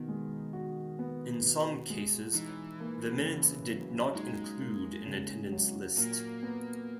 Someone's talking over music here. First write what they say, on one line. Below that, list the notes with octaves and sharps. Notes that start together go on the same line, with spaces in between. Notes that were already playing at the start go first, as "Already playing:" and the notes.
In some cases the minutes did not include an attendance list.
Already playing: B2 D#3 B3
G#3
F#4
B3
B2
G#3
E3 D#4
A#3
C#3
F#3
G#3 D#4
A#3
C#3
F#3
A#2 A#3
B3